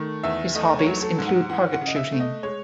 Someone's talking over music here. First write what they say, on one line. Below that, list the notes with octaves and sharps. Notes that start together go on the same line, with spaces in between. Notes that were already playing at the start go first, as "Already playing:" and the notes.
His hobbies include target shooting.
Already playing: D#3 A3
E2 E5
A3 D#5
C#5
F#3
A4
G#2
F#5
E3 F#5
F#5
C#3
D#5
E5
A3
D#5
G#3 C#5